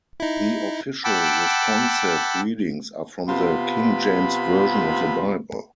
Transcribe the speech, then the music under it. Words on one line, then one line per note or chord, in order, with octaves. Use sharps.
The official Responsive Readings are from the "King James Version of the Bible".
D#4 E4
F#5 G5 A5 B5 D6 E6
C3 B3 F4 B5